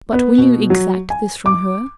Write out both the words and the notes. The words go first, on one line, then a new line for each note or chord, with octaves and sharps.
But will you exact this from her?
B3
B2
F#3
G#5
D6